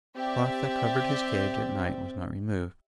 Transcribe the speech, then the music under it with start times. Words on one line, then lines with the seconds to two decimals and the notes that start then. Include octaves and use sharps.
The cloth that covered his cage at night was not removed.
0.16 C4 G4 D5 E5